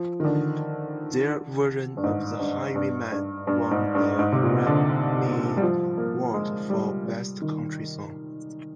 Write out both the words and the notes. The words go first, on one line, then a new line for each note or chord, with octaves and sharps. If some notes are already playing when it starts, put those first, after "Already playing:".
Their version of "The Highwayman" won a Grammy Award for Best Country Song.
Already playing: F3
D#3
D3
G2
G#2
G2
G2
G2
G2
G#2
G2
G#2
C3
A#2
D3
G3
F3
A#3
G#3
G3
G3
D#3